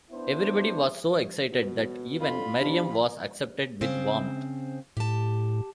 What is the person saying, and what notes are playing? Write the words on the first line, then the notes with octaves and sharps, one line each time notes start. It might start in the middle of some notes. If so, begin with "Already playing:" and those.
Everybody was so excited that even Miriam was accepted with warmth.
B3 D4 E4 C5
B2
F2 D3 F4 B5
E2 F3 D4 G4
C#3 C4 C5
A2 G4 A5